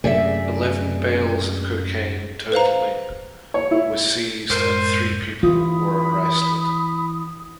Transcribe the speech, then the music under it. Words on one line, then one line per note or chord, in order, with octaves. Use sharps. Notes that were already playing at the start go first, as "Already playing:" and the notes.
Eleven bales of cocaine, totaling was seized and three people were arrested.
F#2 C3 A3 G#4 D5 E5
B4 C5 F5 A#5
C#5
E4
F#2 A2 G#3 A#4 C5
E3 F4 B5 D#6